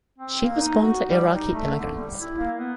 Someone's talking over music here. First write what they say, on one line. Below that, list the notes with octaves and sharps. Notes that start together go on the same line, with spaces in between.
She was born to Iraqi immigrants.
C4
A#3
D#4
F#4
G3
D#4
A3
D3
G3
E4
A#3
B3